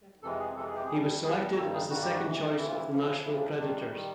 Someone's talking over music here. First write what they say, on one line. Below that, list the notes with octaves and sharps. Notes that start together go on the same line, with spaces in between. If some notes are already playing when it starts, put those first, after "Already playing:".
He was selected as the second choice of the Nashville Predators.
F2 C3 E3 G#3 A4
G#4
F2 C3 E3 G#3 A4
G#4
G4
G#4
E2 B2 G3
E2 B2 G3 G#4
G2 D#3 G3 A4
G#4
G2 D#3 G3 F#4
G4
F#4
D2 C3 E3
D2 C3 E3 E4
F4
E4
D2 C#3 F3
D2 C#3 F3 E4
D4
F#2 D#3 G3 D4
D#3 G3